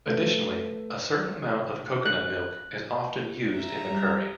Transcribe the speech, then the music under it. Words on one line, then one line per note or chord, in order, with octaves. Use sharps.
Additionally, a certain amount of coconut milk is often used in the curry.
A3 B4
F#6
E5 A#5
G3